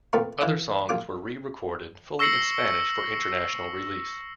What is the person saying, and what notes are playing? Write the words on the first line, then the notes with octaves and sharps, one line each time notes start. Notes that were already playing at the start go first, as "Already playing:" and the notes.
Other songs were re-recorded fully in Spanish for international release.
A#2 A3 B3 C4 F4 A#4
E3 E4 F5
A#1 F4 D6
C#6 E6 A#6 C7 C#7 F#7